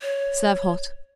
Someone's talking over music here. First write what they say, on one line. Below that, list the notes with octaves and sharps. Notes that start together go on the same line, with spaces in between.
Serve hot.
C#5